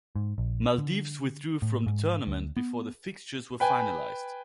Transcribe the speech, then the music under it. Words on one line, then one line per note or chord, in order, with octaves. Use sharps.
Maldives withdrew from the tournament before the fixtures were finalised.
G#2
A#1
D3
A2
G#2
D2
B3
B4 G5 G#5